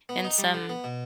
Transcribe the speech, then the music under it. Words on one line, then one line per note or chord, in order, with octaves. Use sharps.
and some
B3
D#4
G3
D3
B3
B2